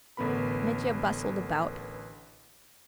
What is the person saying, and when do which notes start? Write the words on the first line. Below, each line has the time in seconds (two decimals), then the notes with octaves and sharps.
Mitya bustled about.
0.17 A1 D3 B3 A#4 B5